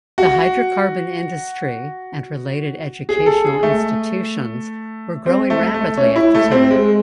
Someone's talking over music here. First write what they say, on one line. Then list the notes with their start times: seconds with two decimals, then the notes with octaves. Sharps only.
The hydrocarbon industry and related educational institutions were growing rapidly at the time.
0.18 F#4
3.09 G#4
3.26 A4
3.45 G#4
3.63 A3
5.26 C4
5.50 A3
5.74 A3
5.97 C#4
6.16 E4
6.35 A3
6.52 C4
6.71 G#3